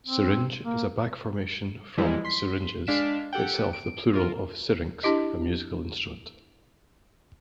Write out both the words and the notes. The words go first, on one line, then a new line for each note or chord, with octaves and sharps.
"Syringe" is a back-formation from "syringes", itself the plural of "syrinx", a musical instrument.
C4
A#3
E3 F3 G3 G#3 E4
C6 B6
G#3 D4 F5 B6 D7 E7
G4 A4 F#5 G5
D7
F4 A#4
D4 E4 G4 D#5